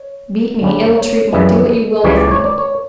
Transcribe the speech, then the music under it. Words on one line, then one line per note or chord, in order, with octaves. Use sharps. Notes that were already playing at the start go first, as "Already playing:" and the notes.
Beat me, ill-treat me, do what you will with me....
Already playing: C#5
D2 C#3 G3
C#5
F#2 C#3 E3 G3
C#2 C#3 E3 G3 C#5
D5
C#5
D5
C#5